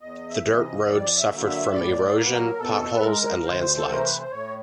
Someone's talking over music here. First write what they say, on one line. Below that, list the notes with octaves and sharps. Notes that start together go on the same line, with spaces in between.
The dirt road suffered from erosion, potholes and landslides.
E2 D#5
E5
C3 E3
D#5
F2 D5
E5
D3 F#3 A#3
E5
A2 D5
F#3 A#3 A#4
B4
A#4
B2 A4
B4
G#3 A#4
D2 C5
A4
C3 E3 A3 A#4
B4
C5
A2 C#5